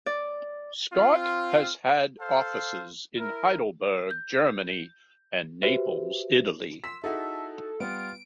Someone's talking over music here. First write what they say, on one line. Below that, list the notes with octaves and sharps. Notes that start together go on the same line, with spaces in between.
Scott has had offices in Heidelberg, Germany and Naples, Italy.
D5
C4 F4
A4 C5 F5
E4 A#4
G6
F#4 G4 B4 C5 E5
C6 E6 B6
D#4 E4 F#4 G#4 A4 E5
G3 B3 F4 D7